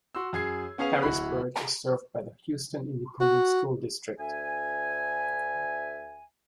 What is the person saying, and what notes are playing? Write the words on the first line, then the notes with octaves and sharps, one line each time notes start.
Harrisburg is served by the Houston Independent School District.
F#4 C6 E6
F#2 G#4 G#6 C7
B3 C#4 G#4 F5 F7
D1 E4 F#4 B5 F#6
F#4
D2 E5 G#5